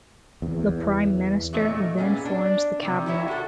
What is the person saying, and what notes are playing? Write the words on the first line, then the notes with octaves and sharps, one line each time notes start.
The Prime Minister then forms the cabinet.
E2
A#2 D#3 A3 E4 C#5 D#5
A#2 B3 C#4 G#4
D4
C3 D#3
E4 G4 A#4 C#5 D5 E5
F#4 A4